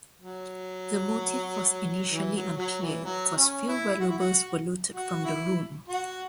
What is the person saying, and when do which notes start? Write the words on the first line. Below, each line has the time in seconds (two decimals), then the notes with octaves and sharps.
The motive was initially unclear because few valuables were looted from the room.
0.21 F#3
2.10 E3
2.34 F#3
2.57 F#3
2.82 E3
3.04 F#3
3.36 C#4
3.68 E4
4.00 F#4
4.09 E4
4.18 F#4
4.93 F#4
5.25 E4
5.88 F#4